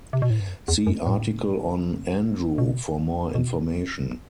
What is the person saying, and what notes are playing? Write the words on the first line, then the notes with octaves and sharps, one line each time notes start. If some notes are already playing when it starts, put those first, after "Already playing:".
See article on "Andrew" for more information.
C3
B2
A2
G2
F#2
E2
F#2
A2
B2
B2